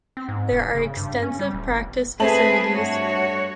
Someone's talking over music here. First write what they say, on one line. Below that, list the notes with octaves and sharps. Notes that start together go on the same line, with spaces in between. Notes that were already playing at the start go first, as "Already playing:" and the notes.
There are extensive practice facilities.
C4
G#2
E1
C#3
G2
C#4
G3
D1
G1
A3 C4 G#4 B4 A5 F#7
G2 F#4 C#5